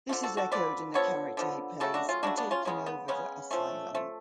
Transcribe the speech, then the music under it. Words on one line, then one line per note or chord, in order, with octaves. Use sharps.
This is echoed in the character he plays in "Takin' Over the Asylum".
D3 F3 A3
F#4 A4
F#4 A4
D3 F3 B4 D5
D3 F3 B3 A4 C#5
D3 F3 B3
C#3 F#3 A3 A4
D4 F#4
C#4 F4
C#3 F#3 A3 D4 F#4
B3 D4
C#4 F4
C#3 G#3 B3 C#4
B3
C#3 G#3 B3 C#4
F3 A3 C#4
F3 A3